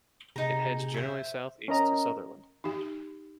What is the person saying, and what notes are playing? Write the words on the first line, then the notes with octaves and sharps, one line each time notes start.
It heads generally south-east to Sutherland.
C3 D#4 G4 G#4 A#5
C5 E5
C#4 A#4 D#5 A#5
D#4 G4